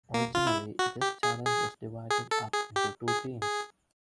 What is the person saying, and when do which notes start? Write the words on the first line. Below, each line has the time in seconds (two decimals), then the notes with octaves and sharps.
Originally this challenge was divided up into two teams.
0.14 A#3
0.35 F4
0.47 E4
0.79 F#4
1.01 G4
1.23 G#4
1.45 G#4
2.10 G#4
2.31 A4
2.53 G#4
2.76 G4
3.08 G#4
3.41 G#4